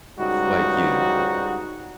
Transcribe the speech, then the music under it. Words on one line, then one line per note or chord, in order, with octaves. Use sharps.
I feel like yeah.
C#2 G#2 G3 D#4 F#4